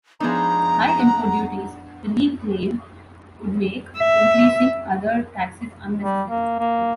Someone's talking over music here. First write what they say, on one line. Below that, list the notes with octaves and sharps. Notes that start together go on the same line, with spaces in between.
High import duties, the League claimed, would make increasing other taxes unnecessary.
F3 G#3 B3 D4 D#4 A#5
F#5
E5
G3
A#3
A#3